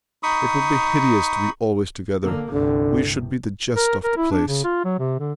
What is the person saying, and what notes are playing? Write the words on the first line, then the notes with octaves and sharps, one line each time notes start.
It would be hideous to be always together; we should be the jest of the place.
D#4 B5 C#6 D#6
D3 A#3
C2 G2 D3
A#4
A#4
E4
D4
C#3
F4
F#3
C3
D3